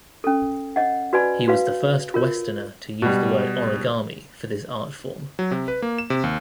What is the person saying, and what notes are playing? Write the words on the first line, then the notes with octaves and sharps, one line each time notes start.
He was the first Westerner to use the word origami for this art-form.
C#4 A4
C#5 D#5 F#5
F#4 B4 D5 G#5 B5
F#4 B4 F5
C#5
F4 A#4 C#5
B2 G3
F#3
C3
B4
A#3
E7
C3
D#2